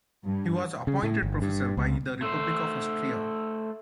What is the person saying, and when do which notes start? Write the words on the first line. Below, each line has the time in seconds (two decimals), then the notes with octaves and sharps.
He was appointed Professor by the Republic of Austria.
0.24 G2
0.87 C#3
1.03 A2
1.23 G1
1.42 G2
1.77 C#2
2.22 A3 C5